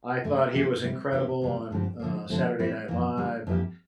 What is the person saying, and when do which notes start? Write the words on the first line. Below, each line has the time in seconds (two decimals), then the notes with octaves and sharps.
I thought he was incredible on, uh, Saturday Night Live, and
0.24 E2 D3 A3
0.54 E3 A#3 E4 G4
0.84 C3 G3 C4
1.12 E2 E3 A#3 E4 G4
1.42 E2 C3 G3
1.71 G2 D3 F3 C4 G4
2.00 D3 F3 A#3
2.30 D3 F3 A3 C4
2.59 E3 G3 C4 E4
2.88 F2 E3 A#3
3.17 D3 G3 A#3
3.47 F2 E3 A#3 E4 G4